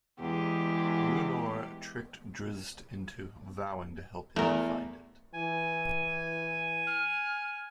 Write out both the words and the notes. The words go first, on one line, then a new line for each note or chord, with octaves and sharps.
Bruenor tricked Drizzt into vowing to help him find it.
E2 G#3 G4
E2 A3 A#4
E3 G#5
F6